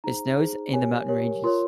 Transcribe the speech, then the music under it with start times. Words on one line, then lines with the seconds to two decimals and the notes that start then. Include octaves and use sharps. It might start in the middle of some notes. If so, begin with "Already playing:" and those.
It snows in the mountain ranges.
0.04 D#4 G#4 C5 A#5
0.39 D#4 G#4 C5
0.73 G4 A#4 C#5 G#5
1.08 G4 A#4 C#5
1.44 F4 A#4 C#5 C6